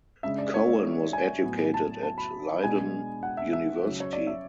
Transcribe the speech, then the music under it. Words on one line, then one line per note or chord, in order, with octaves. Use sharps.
Cohen was educated at Leiden University.
C#3 G#3 D4 E5
D5
C#5
G#5
A2 F#3 B3
A5
A5
B5
B2 G#3 B3 D4 G#5
F#5
E5
E5
C#3 F#3 C#4
C#5
D5
E5